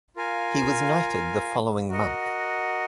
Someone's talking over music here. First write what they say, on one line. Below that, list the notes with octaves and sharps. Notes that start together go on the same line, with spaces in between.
He was knighted the following month.
F4 A#4 F5 G#5
F#4 A#4 D#5 F#5